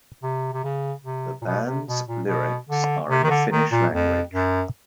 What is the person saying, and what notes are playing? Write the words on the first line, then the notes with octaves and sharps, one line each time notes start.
The band's lyrics are in the Finnish language.
C3
C3
C#3
C3
A#2
B2
C3
B2
A#2
B2
D3
C3
D#3
D3
D#3
A#2
F2
F#2